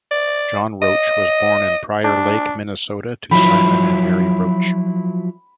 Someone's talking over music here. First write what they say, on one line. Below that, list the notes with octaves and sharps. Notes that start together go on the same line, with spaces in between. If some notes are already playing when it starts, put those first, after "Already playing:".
John Roach was born in Prior Lake, Minnesota, to Simon and Mary Roach.
D5
D#5
D4
F3 F#3 E4 B5